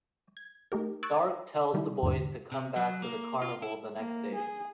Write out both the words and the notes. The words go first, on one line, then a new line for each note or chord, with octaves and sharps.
Dark tells the boys to come back to the carnival the next day.
G#6
A3 D#4 G4 A#4
C#6 E6 F#6 G#6 A6 D7
D#3 G3 D#4 E4
E2 G#2 D3
C3
F#3
A#3
F4
E4
A#3
G#4